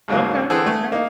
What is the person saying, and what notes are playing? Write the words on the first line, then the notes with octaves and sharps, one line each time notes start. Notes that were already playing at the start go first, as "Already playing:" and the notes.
Okay, okay.
D#2 G#2 C#3 F#3 A#3
D3 E3 C4 G#4 A4
A3
A#3 D#4